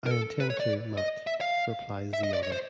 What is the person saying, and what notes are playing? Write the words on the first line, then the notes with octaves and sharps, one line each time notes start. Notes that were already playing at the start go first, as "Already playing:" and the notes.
"I intend to, Mat," replies the other.
A#4
A4
B4
C#5
D5
D#5
E5
F5
E5
D#5
D5
C#5
C5